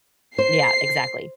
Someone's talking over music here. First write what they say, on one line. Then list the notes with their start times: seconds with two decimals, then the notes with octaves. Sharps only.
Yeah, exactly.
0.38 C5 C7